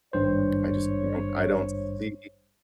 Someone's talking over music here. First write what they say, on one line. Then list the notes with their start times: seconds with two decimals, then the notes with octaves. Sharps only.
I just don't I don't see
0.13 G#1 G2 C5 C#5